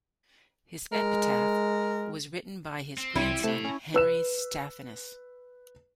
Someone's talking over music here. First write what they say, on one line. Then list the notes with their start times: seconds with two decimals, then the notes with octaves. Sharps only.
His epitaph was written by his grandson Henry Stephanus.
0.93 G#3 A#4
2.98 C4
3.15 C2 G3 C4 E4 G4
3.44 C3 A3 A5 B5
3.64 C#4
3.94 B4 E6 E7